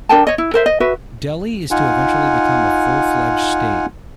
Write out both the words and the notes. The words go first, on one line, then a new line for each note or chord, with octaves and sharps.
Delhi is to eventually become a full-fledged state.
D4 A#4 G5 A5
C#5 D#5
E4
A#4 C5 E5
D#5
F#4 B4 E5
D#4 F4 F#5 G#5